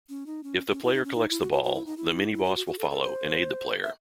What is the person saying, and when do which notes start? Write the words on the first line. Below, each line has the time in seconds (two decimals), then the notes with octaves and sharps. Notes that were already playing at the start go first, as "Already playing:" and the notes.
If the player collects the ball, the miniboss will follow and aid the player.
0.09 C#4
0.26 D#4
0.43 C#4
0.72 C#4
0.83 E4
0.94 D#4
1.04 C#4
1.15 D#4
1.30 E4
1.41 F#4
1.52 F#4
1.64 F#4
1.75 E4
1.86 D#4
1.97 E4
2.33 E4
2.44 F#4
2.56 F#4
2.67 F#4
2.79 A4
2.91 A4
3.02 C5
3.83 E5